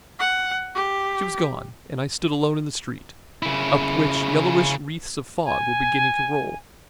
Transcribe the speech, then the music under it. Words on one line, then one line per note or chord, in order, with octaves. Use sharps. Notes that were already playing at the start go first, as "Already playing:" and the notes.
She was gone, and I stood alone in the street, up which yellowish wreaths of fog were beginning to roll.
F#5
G4
C#3 E4
G#5